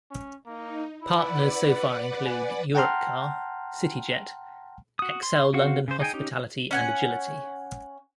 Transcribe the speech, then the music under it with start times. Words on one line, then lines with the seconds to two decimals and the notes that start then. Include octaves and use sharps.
Partners so far include Europcar, CityJet, ExCeL London Hospitality and Agility.
0.10 C#4
0.46 A#3 D#4
1.03 E4 B4 D5 F#5
2.26 G#5
2.75 F#5 G5 A5 A#5 C6 F6
4.99 F#4 D#6
5.23 C6
5.54 C4 F#4 F5 F#5 C#6
5.88 C#3 C5
6.00 D#4 G#4 G5 G#5
6.14 C#4 D#4 G4
6.71 C#4 F#5 G#5